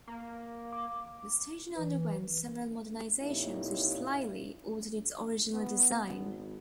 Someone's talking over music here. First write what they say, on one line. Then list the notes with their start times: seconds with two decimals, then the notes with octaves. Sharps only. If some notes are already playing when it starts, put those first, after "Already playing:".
The station underwent several modernisations which slightly altered its original design.
0.07 A#3
0.73 D6
1.77 E3
3.21 F2 A#2 D#4 E4 G4 C#5
5.54 B3
6.14 G#1